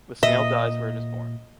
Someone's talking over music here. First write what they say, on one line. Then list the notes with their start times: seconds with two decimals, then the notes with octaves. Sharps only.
The snail dies where it is born.
0.23 A#2 D#5 E5